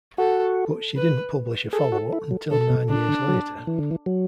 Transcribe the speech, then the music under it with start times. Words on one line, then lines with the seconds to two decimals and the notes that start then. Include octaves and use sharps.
But she didn't publish a follow-up until nine years later.
0.18 F#4 A4
0.96 B4
1.73 G#4 A4
1.92 F#4
2.13 E4
2.31 F#3
2.51 D3 A4
2.70 B2
2.89 C#3 D4
3.09 D3
3.28 F#3
3.67 E3
3.78 D3
3.91 E3
4.06 F#3